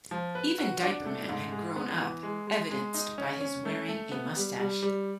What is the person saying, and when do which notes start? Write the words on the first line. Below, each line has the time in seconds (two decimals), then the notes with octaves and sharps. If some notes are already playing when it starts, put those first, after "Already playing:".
Even Diaper Man had grown up, evidenced by his wearing a mustache.
0.11 F3
0.35 B4
0.58 F#4
0.82 D4
1.06 A3
1.29 G#2
1.52 G#3
1.76 B3
2.00 E3
2.23 G#3
2.47 G#3
2.71 G#3
2.94 D#4
3.18 C#4
3.41 C#4
3.65 A3
3.88 A3
4.12 B3
4.36 G3
4.60 G3
4.82 G3